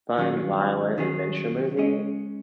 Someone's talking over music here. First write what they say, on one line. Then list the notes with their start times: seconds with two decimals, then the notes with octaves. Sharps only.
fun, violent adventure movie
0.18 D#3 F#3 C#4 G#4
0.98 D#3 F#3 C#4 G#4
1.77 G#3 C#4 G#4 D#5